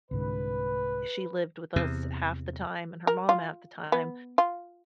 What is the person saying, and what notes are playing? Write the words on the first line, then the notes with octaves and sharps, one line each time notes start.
sh she lived with us half the time and her mom half the time,
C2 G#2 D3 B4
E2 C3
A#4
F4
B3
F4